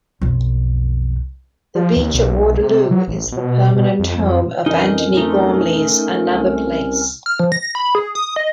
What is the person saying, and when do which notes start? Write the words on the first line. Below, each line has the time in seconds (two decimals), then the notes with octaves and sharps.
The beach at Waterloo is the permanent home of Antony Gormley's "Another Place".
0.21 B1 F2
1.75 F3
1.97 D#2
2.14 B1
2.61 C3
2.91 F#3
3.08 A1
3.32 B2
3.76 B2
3.99 F2
4.19 F2
4.66 F2 E3 C#4 D#4 A#4 D#5
5.17 A3 D#4
6.33 C2
7.26 F6
7.40 F3
7.52 A#6
7.75 B5
7.95 G#4
8.15 D#6
8.36 D#5